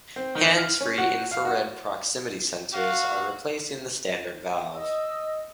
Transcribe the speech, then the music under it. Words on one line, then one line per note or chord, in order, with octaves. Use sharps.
Hands free infrared proximity sensors are replacing the standard valve.
C4
D#3
F6
C#4
F#4
F5
F#4
F#4 F5
D#5 E6